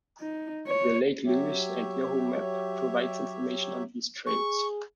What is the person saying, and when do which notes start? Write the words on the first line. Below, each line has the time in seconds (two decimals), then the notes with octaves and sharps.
The Lake Louise and Yoho Map provides information on these trails.
0.20 D#4
0.67 C#5
1.26 F#3 G4 C#5 E5
4.26 G#4 C#6